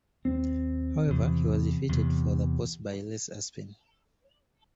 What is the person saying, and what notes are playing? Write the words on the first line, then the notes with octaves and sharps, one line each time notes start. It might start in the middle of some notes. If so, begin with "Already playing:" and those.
However, he was defeated for the post by Les Aspin.
D#2 C4
E2 C3
E2 C3